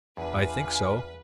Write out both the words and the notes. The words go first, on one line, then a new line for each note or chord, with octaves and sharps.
I think so.
E2 D4 F4 B4 G#5